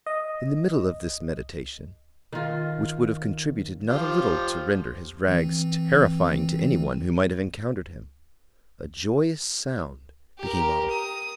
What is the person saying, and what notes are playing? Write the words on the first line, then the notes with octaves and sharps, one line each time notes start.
In the middle of this meditation, which would have contributed not a little to render his rags terrifying to any one who might have encountered him, a joyous sound became audible.
D#5
D#3 F4
F3 F4 G4
E3 C4
G4 A#4
D#6